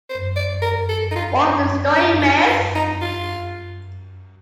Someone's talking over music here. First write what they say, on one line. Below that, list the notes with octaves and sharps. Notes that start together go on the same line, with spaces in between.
What's the story, miss?
C5
D5
A#4
A4
D#4
F4
D4
D#4
F4
F4
D#4
F4